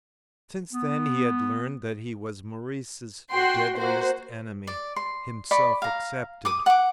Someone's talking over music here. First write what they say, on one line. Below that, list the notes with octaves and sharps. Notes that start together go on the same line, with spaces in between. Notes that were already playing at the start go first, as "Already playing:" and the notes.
Since then he had learnt that he was Maurice's deadliest enemy--himself excepted.
B3
F#4 G5 C6
A#3 F#4 C5
D5
C6
D5 B5 C#6
F5 A#5
D6 D#6
F#5 D6